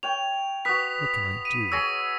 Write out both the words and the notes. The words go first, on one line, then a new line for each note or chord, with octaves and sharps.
'What can I do?
C#5 G5 F7
F#4 B4 D#6 B6
D#7
G#4 C#5 E6 A#6